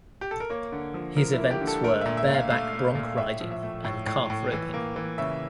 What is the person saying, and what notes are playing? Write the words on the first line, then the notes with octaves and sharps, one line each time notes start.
His events were bareback bronc riding and calf roping.
G4
A4
A#4
A#3 C#5
D3
F3
F3 A#4
E4
A#3
G4
D3
A4
A3 A#4
E5
A#2
E5
A#2
F5
A3 F5
A3
A#2
A2 E5
F3
E5
A3
A2
A2
A2
E3
A#3
E3
C#3 E5